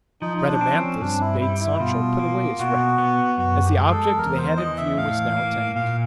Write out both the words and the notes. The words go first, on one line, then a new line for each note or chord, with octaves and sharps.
Rhadamanthus bade Sancho put away his wrath, as the object they had in view was now attained.
F3 D#4
D#4
D4
C4
C#4
G2 D4
E4
G3 E4
E4
B2 F4
A#3
B2 F#4
B3
F#2 F#4
G4
G#3
A4
E2 A#4
C5
E3 D#5
E5
A2 F5
A#3
A#2 F5